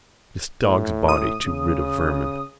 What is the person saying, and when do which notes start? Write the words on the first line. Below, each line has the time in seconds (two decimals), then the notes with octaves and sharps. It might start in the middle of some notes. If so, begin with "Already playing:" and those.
This dogsbody to rid of vermin.
0.63 A2
1.09 D#6
1.45 C#3